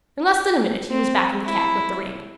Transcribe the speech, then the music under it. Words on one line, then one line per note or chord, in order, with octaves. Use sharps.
In less than a minute he was back in the cab with the ring.
C4
E4